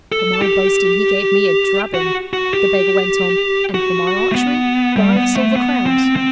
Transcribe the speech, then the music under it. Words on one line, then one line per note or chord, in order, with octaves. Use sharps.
"For my boasting he gave me a drubbing," the beggar went on, "and for my archery five silver crowns."
A4
G4
F#4
F#4
G4
F#4
A3
B3
G3
B3
A3
B3
C4
C4